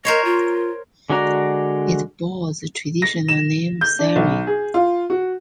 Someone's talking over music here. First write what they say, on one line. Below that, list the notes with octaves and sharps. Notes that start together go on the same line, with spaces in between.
It bore the traditional name "Sarin".
A#4 C5 C#5 D#5
F4
D3 G#3 F#4 D5 A#5
A#6
E7
G6
D4
B1
G#4
F4
F#4